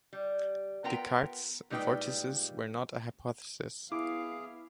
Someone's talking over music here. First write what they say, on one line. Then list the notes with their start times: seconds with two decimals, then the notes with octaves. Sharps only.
Descartes' vortices were not a hypothesis.
0.13 G3
0.84 B3 F4 A#4 G5 A#5
1.70 A#2 G3 G#3 D#4 B4 G5
3.92 B3 E4 G#4 F5 D6